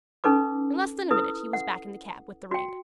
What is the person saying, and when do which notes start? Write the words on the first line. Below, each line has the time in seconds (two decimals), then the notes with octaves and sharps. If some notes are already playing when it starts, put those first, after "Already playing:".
In less than a minute he was back in the cab with the ring.
0.24 C#4 D#4 A4 B4 D6
1.11 E4 A4 B4 D#6
1.53 F#5
2.51 F#4 G5